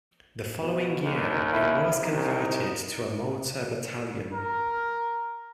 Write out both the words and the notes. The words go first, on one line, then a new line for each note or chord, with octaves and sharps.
The following year, it was converted to a motor battalion.
B2
D#2
E4
C2 D#4
A#4